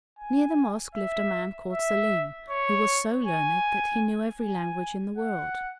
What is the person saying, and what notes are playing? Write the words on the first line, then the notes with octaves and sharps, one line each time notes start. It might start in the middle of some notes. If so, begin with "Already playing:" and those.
Near the mosque lived a man called Selim, who was so learned that he knew every language in the world.
G#5
E5
E5
C#5
G#5
G#5
F#5